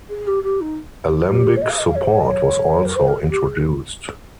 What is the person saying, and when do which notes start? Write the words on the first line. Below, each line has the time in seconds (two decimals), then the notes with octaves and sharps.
Alembic support was also introduced.
0.10 G#4
0.27 G4
0.43 G4
0.61 D#4
1.28 G4
1.56 C#5
1.62 D#5
1.70 F5
1.78 D#5
1.87 F5
1.95 C#5
2.04 C5
2.12 C#5
2.21 D#5
2.29 C#5
2.86 A#4
2.96 C5
3.08 A#4
3.19 G#4
3.30 G4
3.47 G#4